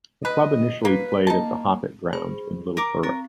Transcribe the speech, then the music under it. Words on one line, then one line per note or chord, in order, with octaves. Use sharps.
The club initially played at the Hoppit Ground in Little Thurrock.
B4 D#5
A#3 B4
A#3 D#4 A5
G#4 C5 B5
A#4 D6 D7
C4 A#4